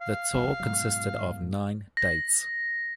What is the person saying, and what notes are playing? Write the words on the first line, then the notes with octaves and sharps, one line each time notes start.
The tour consisted of nine dates.
F5
E1 C2 F3
G#2 B2 F#3
A#6